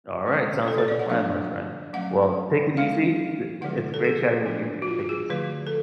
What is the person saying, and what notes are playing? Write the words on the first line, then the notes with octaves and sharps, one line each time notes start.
Alright. Sounds like a plan, my friend. Well, take it easy. D it's great chatting with you too. Take it easy.
G#3 C#4
A4
C#5
D5
F#5
F3 A3 D4 F5
F#3 A3 C#4 F#5
G#3 B3 D4 F5
D3 F3 G#3 F#5
A4
G#4
F3 B3 D4
F#4
F4
F#4
G#4
D3 F3 A3 B4
A4